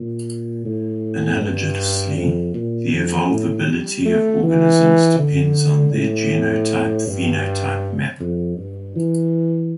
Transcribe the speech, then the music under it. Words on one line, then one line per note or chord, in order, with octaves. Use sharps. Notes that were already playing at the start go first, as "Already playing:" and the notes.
Analogously, the evolvability of organisms depends on their genotype-phenotype map.
Already playing: A#2
A2
G2
F2
A#2
F2
A2
G3
A3
E3
D3
A2
G2
F2
G2
E3